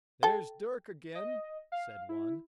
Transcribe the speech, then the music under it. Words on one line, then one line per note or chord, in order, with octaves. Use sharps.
"There's Dirk again," said one.
A4 G5
D#5
F5
E4